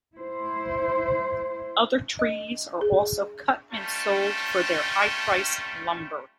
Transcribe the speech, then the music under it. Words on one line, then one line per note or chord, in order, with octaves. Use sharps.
Other trees are also cut and sold for their high-priced lumber.
E4 C5
D#5
G#4
G3 A3 C#4 F4 G5 A5